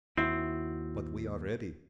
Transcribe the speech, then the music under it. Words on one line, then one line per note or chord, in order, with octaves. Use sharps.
But we are ready.
D#2 C4 E4 F#4 E5